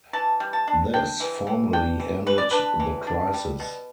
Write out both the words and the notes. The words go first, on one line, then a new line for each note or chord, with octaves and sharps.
This formally ended the crisis.
E3 A5
G3
A5
D4
D4 G5
E3
E3
D4 G5
E3
E3 B4
D5
D4 B4
E3
D4
G3
B2